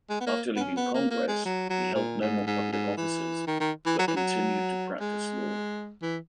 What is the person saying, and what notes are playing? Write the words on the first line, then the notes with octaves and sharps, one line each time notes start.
After leaving Congress, he held no more public offices, but continued to practice law.
G#3
B3
A#3
B3
C#4
B3
A#3
A#3
G#3
F#3
F#3
A#2
G#2
G#2
G#2
E3
D#3
D#3
E3
F#3
E3
F#3
G#3
E3